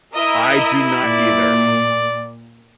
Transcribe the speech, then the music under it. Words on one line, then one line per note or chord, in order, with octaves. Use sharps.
I do not either.
E4 A#4 D#5 E5
A#2 D5